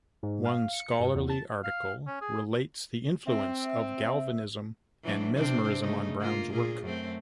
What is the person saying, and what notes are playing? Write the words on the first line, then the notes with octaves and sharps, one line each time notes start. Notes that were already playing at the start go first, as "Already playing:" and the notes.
One scholarly article relates the influence of Galvanism and Mesmerism on Brown's work.
G#2
F5
C#7
G2
E2
A5
F5
C#4
G#4
C4 E5
E3 F#3 D4
C3 C4 D4
C#3 A3 D#4
A#3 F4
A#2 F4 G#4
F#2 A3 C4